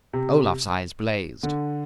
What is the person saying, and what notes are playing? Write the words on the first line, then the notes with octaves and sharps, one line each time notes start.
Olaf's eyes blazed.
C3
D3